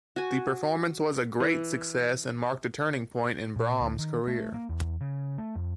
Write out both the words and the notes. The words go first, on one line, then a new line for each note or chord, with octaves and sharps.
The performance was a great success and marked a turning point in Brahms's career.
F#4 G#5
E3
A#2
D2
D#3
A3
A#3
E2
C#3
A3
F2